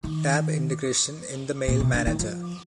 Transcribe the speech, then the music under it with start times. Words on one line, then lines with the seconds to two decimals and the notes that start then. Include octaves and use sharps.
Tab Integration in the mail manager.
0.04 D#3
1.68 A#2
1.80 C3
1.94 D3
2.07 D#3
2.19 F3